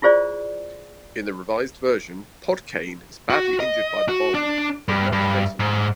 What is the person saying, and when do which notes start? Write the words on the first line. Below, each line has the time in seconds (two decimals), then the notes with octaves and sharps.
In the revised version, Podkayne is badly injured by the bomb, but not fatally.
0.02 E4 F4 G#4 C5 D5
3.30 F#4
3.60 D#5
4.09 F#4
4.34 D4
4.88 G2
5.12 G2
5.60 G#2